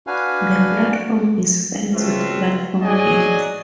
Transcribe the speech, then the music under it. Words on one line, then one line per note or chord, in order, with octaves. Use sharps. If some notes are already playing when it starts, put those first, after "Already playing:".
The platform is fenced with platform gates.
D4 F#4 B4 F5 G#5
C#2 F3 C4 F4 F#4 E5
G#2 F#3 G#4 D5 D#5 G#5